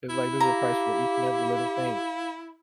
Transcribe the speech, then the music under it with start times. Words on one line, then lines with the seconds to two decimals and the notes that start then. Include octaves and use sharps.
It's like there's a price for each and every little thing.
0.09 E4
0.40 G4 F5 A#5